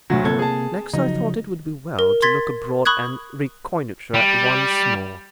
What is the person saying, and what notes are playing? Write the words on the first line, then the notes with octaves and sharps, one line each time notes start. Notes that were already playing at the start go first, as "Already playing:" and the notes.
Next I thought it would be well to look abroad and reconnoitre once more.
D2 A2 D3 F#3
G1 C3 A#3 A4 G#6
G#4 A5
C#3 F3 F#3 D#4
A#4
C6 G#6 A6 B6
B5 C#6 D#6 F#6 G#6
G3